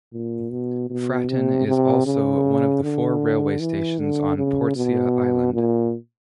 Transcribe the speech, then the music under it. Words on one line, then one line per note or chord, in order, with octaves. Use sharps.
Fratton is also one of the four railway stations on Portsea Island.
A#2
B2
B2
C3
C3
C#3
D3
E3
D3
C#3
B2
A#2